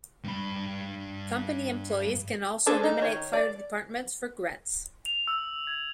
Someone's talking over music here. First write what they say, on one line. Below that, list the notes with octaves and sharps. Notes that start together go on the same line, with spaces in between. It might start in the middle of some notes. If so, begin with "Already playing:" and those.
Company employees can also nominate fire departments for grants.
G2 B5
C#4 D4 G#4 A4 C5
D#4
D#3 C#5
D5
F7
E6
G#6